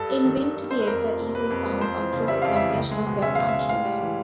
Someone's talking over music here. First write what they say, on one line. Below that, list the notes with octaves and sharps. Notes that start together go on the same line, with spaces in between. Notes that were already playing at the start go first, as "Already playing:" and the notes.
In winter the eggs are easily found on close examination of bare branches.
Already playing: G2 A4
G3
D#3
G2
G2
G3 C5
B4
F2 A#4
F3
C3
A#3 B4
F2
F3
F2 C5
E3
C#3
G3 E5
F2 F5
E3 E5
C#2
G#3
B2
C#4 E5
C#2 F5
E5
G#3
A2 F5
G3
E3